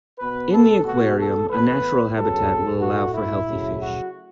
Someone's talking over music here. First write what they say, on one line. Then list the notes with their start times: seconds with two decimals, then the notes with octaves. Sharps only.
In the aquarium, a natural habitat will allow for healthy fish.
0.19 B2 B3 B4
0.52 A4
0.85 B2 A3 F#4
1.18 A4
1.50 A2 E3 B3 B4
2.15 C#3 F#3 B3 A4
2.81 A2 A3 F#4
3.14 E4
3.47 C#3 F#3 A3
3.80 F#4